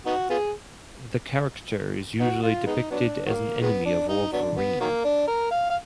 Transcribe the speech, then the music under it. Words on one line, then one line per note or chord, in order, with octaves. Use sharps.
The character is usually depicted as an enemy of Wolverine.
B3 D#4 F#4
B3 F4 G#4
B3 D#4 F#4
F4
G#3 B3 D#4
F#3 B3 D4
D#3 F#3 A#3
D#3 G#3 B3
D4
D#4
F#3 B3 D4
B3
D#3 F#3 A#3
D4
A#4
F5
F5